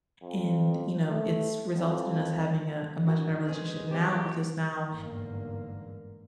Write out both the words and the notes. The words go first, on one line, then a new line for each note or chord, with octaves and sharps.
and, you know, it's resulted in us having a a much better relationship now because now
F2
A3
F2
D4 F#4 A#4
G#3 C4 G#4 B4
C4 G4
G1 E2 G#2 D3 A#3